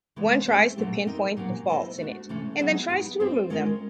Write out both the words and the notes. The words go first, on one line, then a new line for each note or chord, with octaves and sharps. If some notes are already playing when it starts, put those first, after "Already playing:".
One tries to pin-point the faults in it and then tries to remove them.
C#3 E3 G#3 B3
A3 C4 D#4 G#4 C5
A#2 F#3 A3 D4 G4
C4 D#4 G4 A#4 D#5
A#2 F#3 A#3 C#4
B3 E4 A4 C5 D#5
A3 D4 F#4
C3 E3 A3 C#4
F#3 B3 E4 G#4
B3 D#4 G4
C4 F4 A4 C5
G#3 C#4 F4 A#4 D#5